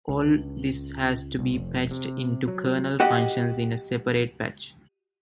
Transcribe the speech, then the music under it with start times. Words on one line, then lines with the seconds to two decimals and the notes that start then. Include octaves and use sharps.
All this has to be patched into kernel functions in a separate patch.
0.09 C#2
1.39 C2
1.54 F1
1.91 C3
2.48 F#3
3.00 F#4 G4 D#5 F#5